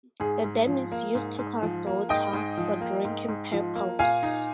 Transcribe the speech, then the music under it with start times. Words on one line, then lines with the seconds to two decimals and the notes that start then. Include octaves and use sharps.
The dam is used to collect water for drinking purpose.
0.20 G#2 G#4
0.44 G#2
0.67 F3
0.92 A#3
1.15 G#2
1.39 G#2
1.62 F3
1.87 A#3
2.09 G#2 D#5 G5
2.33 G#2
2.58 F3
2.81 A#3
3.05 G#2
3.28 G#2
3.52 F3
3.75 A#3
3.99 A#2 F5 G#5
4.23 D#4